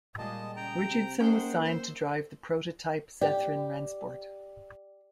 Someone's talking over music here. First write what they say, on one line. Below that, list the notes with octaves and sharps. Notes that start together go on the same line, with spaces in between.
Richardson was signed to drive the prototype Zethrin Rennsport.
A#2 G3 G#3 D#5 A5
C#3 G5 A#5
C3
A#3 C#4 D#4 G#4 C5 F#5 G5
C5 E6
G4 D5